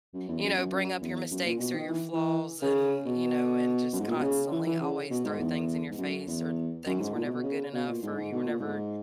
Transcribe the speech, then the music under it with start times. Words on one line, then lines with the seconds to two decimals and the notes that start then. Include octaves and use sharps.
you know, bring up your mistakes or your flaws and, you know, and just constantly always throw things in your face, or things were never good enough, or you were never
0.14 F#2
0.28 E2
0.43 F#2
0.58 F#2
0.72 F#2
1.01 E2
1.31 F#2
1.45 A#2
1.59 B2
1.74 D#3
1.89 E3
2.13 E3
2.62 C#3
3.06 B2
3.92 F#2
3.99 G#2
4.08 A#2
4.16 B2
4.22 C#3
4.52 E3
4.66 E3
4.81 C#3
5.11 B2
5.24 G#2
5.40 E2
5.90 G#2
5.98 F#2
6.27 E2
6.86 F#2
7.00 G#2
7.15 A#2
7.24 B2
7.35 B2
7.43 C#3
7.73 B2
7.88 A#2
8.03 G#2
8.17 G#2
8.32 B2
8.47 A#2
8.60 G#2